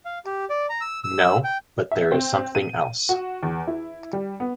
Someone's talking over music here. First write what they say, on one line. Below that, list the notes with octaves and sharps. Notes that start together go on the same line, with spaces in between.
No, but there is something else.
F5
G4
D5
A#5
E6
E6
G5
E5
C4
D#7
F#4
E2
E4
G3
B3